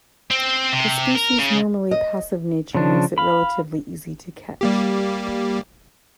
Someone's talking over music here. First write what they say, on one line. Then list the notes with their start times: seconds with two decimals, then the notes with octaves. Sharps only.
The species' normally passive nature makes it relatively easy to catch.
0.31 C4
0.73 C3
1.15 A#4
1.39 C#3
1.91 D#5
2.75 C#3 F3 D4
3.18 F5 B5
4.61 G3 A#3 G4